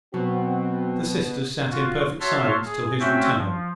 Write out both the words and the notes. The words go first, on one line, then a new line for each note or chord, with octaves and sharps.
The sisters sat in perfect silence till his return.
B2 F#3 C4 F#4
F4 F#4
F#4 C#5 E5 A5 C6 F6
G#4
A3 C4 C#4 F#4 E5 G5
F3